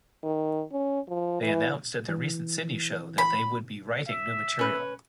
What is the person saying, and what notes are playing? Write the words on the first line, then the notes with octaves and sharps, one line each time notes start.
They announced at their recent Sydney show that they would be writing new material.
D#3
C#4
F3
E3
E3
B5
E5
C#4 B4